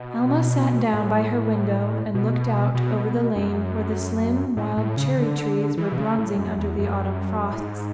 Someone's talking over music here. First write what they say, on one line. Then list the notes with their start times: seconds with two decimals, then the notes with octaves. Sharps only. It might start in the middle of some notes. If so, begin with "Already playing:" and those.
Alma sat down by her window and looked out over the lane where the slim wild cherry trees were bronzing under the autumn frosts.
Already playing: B2
0.94 A2
2.14 B2
2.75 B2
3.36 F#2
4.57 A2
4.77 A2
4.97 C#3
5.17 D3
5.77 E3
5.92 B2
5.98 C#3
6.18 A2
6.38 F#2
6.58 E2
6.79 F#2
7.52 A2
7.59 G#2